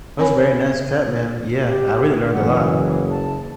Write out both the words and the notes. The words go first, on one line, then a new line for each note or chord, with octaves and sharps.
That was a very nice chat, man. Yeah, I really learned a lot.
C4 A#4 C#5 G#5 B5
G4
F#1 E3 F#5
G#4
A5